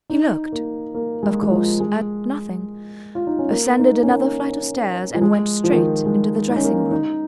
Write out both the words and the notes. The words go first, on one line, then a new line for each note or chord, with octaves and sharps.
He looked, of course, at nothing, ascended another flight of stairs and went straight into the dressing room.
D#4
A#3
A#3
G#3
G#3
F3
G#3
F4
D#4
C#4
A#3
D#4
C#4
A#3
F3
G#3
F3
D#3
F3
G#3
D#4
C#4
A#3
C#4
D#4